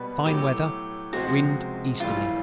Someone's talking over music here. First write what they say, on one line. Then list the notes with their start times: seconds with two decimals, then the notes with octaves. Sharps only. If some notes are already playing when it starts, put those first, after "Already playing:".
Fine weather: wind easterly.
Already playing: B2 G3 B3 B4
0.26 A2 F#3 A3 G4
1.13 C#2 C3 F3 G#3 C4 F#4
2.00 A#1 A2 E3 G3 F4